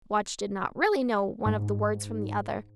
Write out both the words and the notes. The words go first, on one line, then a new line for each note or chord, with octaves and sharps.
Watch did not really know one of the words from the other.
G#2